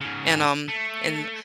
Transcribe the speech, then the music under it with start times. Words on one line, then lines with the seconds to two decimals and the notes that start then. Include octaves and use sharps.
and, um, and,
0.01 G#2 C#3
0.68 A3